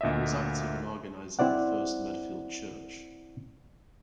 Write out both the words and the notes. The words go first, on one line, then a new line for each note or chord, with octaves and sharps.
He was active in organizing the first Medfield church.
D2 A#2 D#5 E5
C4 E4 C5 D5 F#5